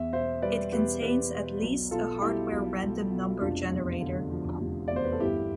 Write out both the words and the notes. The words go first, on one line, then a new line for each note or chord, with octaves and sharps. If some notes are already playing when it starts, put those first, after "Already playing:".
It contains at least a hardware random number generator.
Already playing: E2 E5
B2 C5 E5
G3 B4 D5
E2 G4 B4
E2 G4 B4
B2
B1
B2 F4 A4
G3 E4 G4
B1
B1
B2
F1 D4 F4
E2
D3
F3
F1
E2 D5
C5
B4
A4
G1 E4 G4